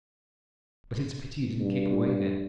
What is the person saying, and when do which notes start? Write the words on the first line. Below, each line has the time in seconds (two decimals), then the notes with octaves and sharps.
But it's a pity you didn't keep away, then.
1.60 G2